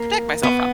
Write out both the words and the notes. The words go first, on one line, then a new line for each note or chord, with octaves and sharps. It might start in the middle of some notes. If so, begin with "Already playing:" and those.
protect myself from.
Already playing: A#3
B3